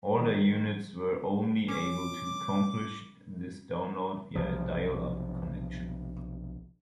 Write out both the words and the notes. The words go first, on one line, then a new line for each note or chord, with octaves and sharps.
Older units were only able to accomplish this download via a dial-up connection.
D#3
C#4 D6
B1 C3 F3